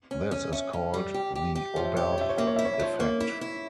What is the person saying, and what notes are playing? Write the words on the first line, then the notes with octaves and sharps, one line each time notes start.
This is called the Oberth effect.
C#4
C#4
C#4 E5
C#4
G3
G4
G4
G4
F3 C#5
E5
G4 C#5
E5
C#5
F3 E5
C#5
A#3 E5
C#5
E4 E5
C#5
E5
F3 C#5
A#3 C#5
E4
E4